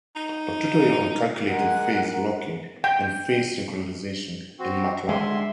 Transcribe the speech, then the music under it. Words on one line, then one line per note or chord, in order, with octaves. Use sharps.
A tutorial on calculating Phase locking and Phase synchronization in Matlab.
D#4
G#3 A#4 F#5
G5
C4 F#4
D3 G3 G#3 E5 C6